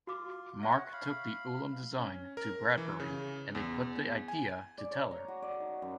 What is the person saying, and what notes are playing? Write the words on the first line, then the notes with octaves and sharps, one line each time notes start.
Mark took the Ulam design to Bradbury, and they put the idea to Teller.
F4 F#4 D6
C#5 E5 F#5 G5
F5 B5
C#4
A#4
E3
C#3
E2
G#5
D5
C#5
A#5
F#4
D5
D#4
F#2